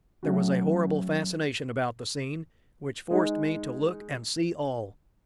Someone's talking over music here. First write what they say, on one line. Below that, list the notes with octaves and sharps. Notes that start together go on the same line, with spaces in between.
There was a horrible fascination about the scene which forced me to look and see all.
F#3 A3 C#4 F#4
G#3 D#4 G#4